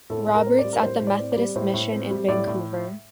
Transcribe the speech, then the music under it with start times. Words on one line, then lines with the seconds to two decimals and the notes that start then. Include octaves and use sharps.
Roberts at the Methodist mission in Vancouver.
0.10 A2 A4
0.27 A2
0.34 A#4
0.47 C4
0.59 D5
0.64 G3
0.73 A#4
0.82 A2 C5
1.01 A2
1.07 D5
1.19 C4
1.32 D5
1.37 G3
1.55 A2 C5
1.74 A2
1.92 C4
2.11 G3
2.28 A2 D5
2.47 A2